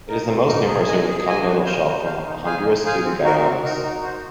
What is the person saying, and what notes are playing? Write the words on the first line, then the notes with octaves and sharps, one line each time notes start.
It is most numerous over the continental shelf from Honduras to the Guianas.
D#4 A#4
C4
D#4 A#4
G#4
D#5 G#5
G#4
D#5 G#5
F#4
C5 F5
F#4
C5 F5
D#4
G#4 C5 F5 G#5
D#4
G#4 C5 F5 G#5
C4
D#4 F#4 A#4
C4
D#4 F#4 A#4
D#4
F#4 C5